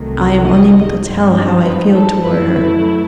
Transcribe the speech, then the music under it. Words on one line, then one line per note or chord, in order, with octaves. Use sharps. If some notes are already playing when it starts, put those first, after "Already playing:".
I am unable to tell how I feel toward her.
Already playing: C2 C3 D#3 F#3 A3
D#5
G2 F#3 C4 D#4
B4
A4
F#2 F#3 A3 E4 B4
B4